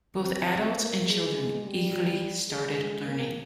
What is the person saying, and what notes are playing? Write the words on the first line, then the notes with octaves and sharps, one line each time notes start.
Both adults and children eagerly started learning.
C4
A#3
G#3
G3
G#3
A#3